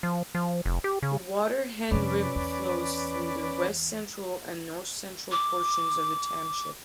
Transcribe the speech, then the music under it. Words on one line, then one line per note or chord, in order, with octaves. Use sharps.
The Water Hen River flows through the west-central and north-central portions of the township.
F3
F3
F1
G4
C#3
F2 C3 C#4 B4 D5
E2
D6